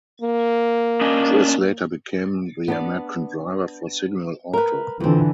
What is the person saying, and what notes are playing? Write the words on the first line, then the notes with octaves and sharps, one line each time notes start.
Chris later became the American Driver for Signal Auto.
A#3
C#4 D4 D#5
B3 D4 D5
A#4 B4
F2 D3 E3 C4